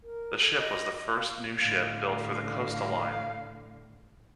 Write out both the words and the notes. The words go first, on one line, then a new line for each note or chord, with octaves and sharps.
The ship was the first new ship built for the Costa Line.
A#4
A4
D#5
F5
A2 D3 F5